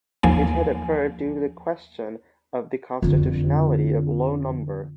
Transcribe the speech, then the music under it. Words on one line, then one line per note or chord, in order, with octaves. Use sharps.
It had occurred due to the question of the constitutionality of Law no.
D#2 F3 A#3 G#5
F2 D3